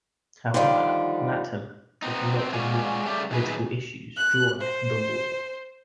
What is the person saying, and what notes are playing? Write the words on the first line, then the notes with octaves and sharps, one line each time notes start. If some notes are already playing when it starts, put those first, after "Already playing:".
However, Latham did not ignore political issues during the war.
D3 D#3 F3 G3 C#4 D4
B3 C4 D#4
B2 C4
G#3 F4 F#4 C#5 D5 G#5
C#3 G3 A3 G4
F#2 D#3 G#4 B4
F#6
C5